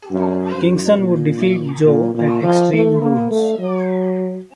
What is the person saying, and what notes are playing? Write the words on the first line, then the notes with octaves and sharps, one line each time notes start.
Kingston would defeat Joe at Extreme Rules.
F#2
F#2
A#2
A#2
A#2
F3
A3
A#3
A3
F#3